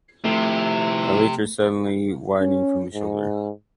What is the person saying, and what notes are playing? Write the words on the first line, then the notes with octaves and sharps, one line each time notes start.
Elytra suddenly widening from the shoulder.
C3 F3 A3 E4
C#4
G#2